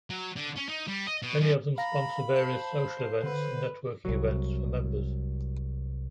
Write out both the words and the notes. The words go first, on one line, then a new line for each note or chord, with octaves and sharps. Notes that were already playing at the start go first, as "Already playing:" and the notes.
Many of them sponsor various social events and networking events for members.
F#3
D3
C#4
D#4
G3
D#5
B2
F#2
F5 A#5 B5
C5 A5
D3 B4
C2 F#3